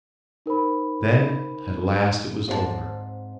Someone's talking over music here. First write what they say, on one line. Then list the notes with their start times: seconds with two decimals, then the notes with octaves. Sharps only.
Then at last it was over.
0.46 D#4 A#4 C5 B5
2.48 G#2 C4 D4 E4 D5 A5